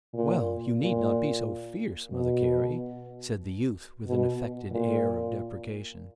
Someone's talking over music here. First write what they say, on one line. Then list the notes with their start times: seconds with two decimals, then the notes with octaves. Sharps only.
"Well, you need not be so fierce, Mother Carey," said the youth with an affected air of deprecation.
0.14 A#2
0.80 A#2
2.11 B2
4.06 B2
4.72 A#2